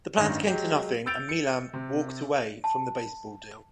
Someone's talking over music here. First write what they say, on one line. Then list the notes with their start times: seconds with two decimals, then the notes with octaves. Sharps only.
The plans came to nothing and Milam "walked away" from the baseball deal.
0.17 A1 G2 D#3 A#6
0.47 F#3 G#3 G4
1.06 E6 G6 A6 D7 F7
1.29 C#7
1.73 C3
2.64 A5